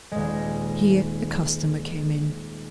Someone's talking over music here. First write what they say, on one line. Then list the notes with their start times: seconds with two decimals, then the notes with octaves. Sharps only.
Here a customer came in.
0.12 D#1 G#3